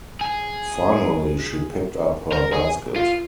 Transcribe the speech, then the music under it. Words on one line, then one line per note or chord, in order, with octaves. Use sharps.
Finally she picked up her basket.
G#4
A#4
G#4
F4